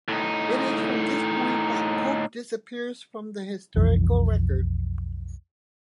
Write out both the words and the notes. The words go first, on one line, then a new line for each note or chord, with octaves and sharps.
It is from this point that Pope disappears from the historical record.
A2 D#4
B1 F2 E3